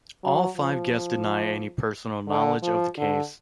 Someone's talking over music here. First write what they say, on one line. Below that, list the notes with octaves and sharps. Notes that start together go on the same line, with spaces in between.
All five guests deny any personal knowledge of the case.
F#3
F3
D3
F3
D3